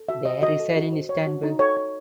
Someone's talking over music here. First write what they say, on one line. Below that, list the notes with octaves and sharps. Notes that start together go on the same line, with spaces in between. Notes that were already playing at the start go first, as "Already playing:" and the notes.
They reside in Istanbul.
Already playing: A4
F#4 E5
C5 D#5
F#4 D#5
A4
F#4
C5
C#5
F#4
D#4
A4 C#5
C#5